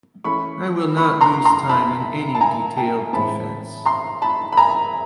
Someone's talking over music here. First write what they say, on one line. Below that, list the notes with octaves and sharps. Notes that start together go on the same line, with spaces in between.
I will not lose time in any detailed defense.
E3 A3 C#4 B5 C#6
B5 C#6
A#5 C6
A#5 C6
A5 B5
A5
G#5 A#5
G5 A5
A2 E3 G#3 C4 A5 B5
A#5 C6
A5 B5
B5
G#5 A#5